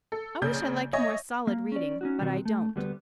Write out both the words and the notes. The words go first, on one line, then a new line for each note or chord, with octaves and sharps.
I wish I liked more solid reading; but I don't.
A4
A#1 C#3 G6
C#5 D#5 E5 G#5
A#3
C#4 D5
C#4 D#4 F#4
B2 D#3 F#3 C4 F#4
A3
D2 G3 B3